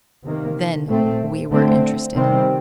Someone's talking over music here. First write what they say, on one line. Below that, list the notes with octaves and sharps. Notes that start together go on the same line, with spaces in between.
Then we were interested.
C3 D#3 A#3
A#2 A3 C4
D3 A3 C4
C3 D#3 G3 C4